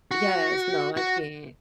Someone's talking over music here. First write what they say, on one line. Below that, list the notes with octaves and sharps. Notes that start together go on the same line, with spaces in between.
Yes, no, I can't.
F#4
F#4